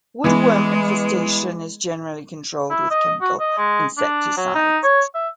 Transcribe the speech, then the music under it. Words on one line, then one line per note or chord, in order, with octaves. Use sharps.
Woodworm infestation is generally controlled with chemical insecticides.
E3 G#3 B3
E4
D#5
F#4
D#5
G#3
D4
F#3
D#4
C#5
E5